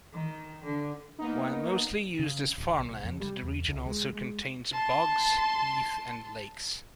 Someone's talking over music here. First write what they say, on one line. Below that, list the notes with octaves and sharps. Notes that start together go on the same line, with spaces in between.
While mostly used as farmland, the region also contains bogs, heath and lakes.
D#3
D3
A#3 B3 D#4
C#3
D1
B1
F2
G3
E2
C#2
G#3
G#3
A5 C6